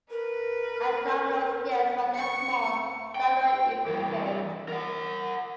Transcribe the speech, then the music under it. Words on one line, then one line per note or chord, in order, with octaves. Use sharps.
Abdominal scales rather small, cycloid, imbricate.
A#4 B4
C#6 C#7
G5
G2 E3
A#4 F#5